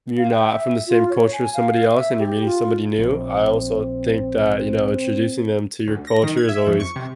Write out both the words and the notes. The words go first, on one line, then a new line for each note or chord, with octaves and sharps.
you're not from the same culture as somebody else and you're meeting somebody new, I also think that, you know, introducing them to your culture is always,
F5
G5
E5
F4
C#5
G#5
F5
E5
G4
F4
A#1 C4
D2
A#6
D#3
G#6
E5
F2
C#6
C3